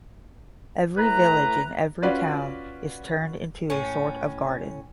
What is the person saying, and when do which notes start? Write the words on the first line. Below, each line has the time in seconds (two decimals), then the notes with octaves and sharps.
Every village and every town is turned into a sort of garden.
0.96 A2 B4 A#5
2.02 C#4 F4 F#4 B4 D5
3.70 A2 C#4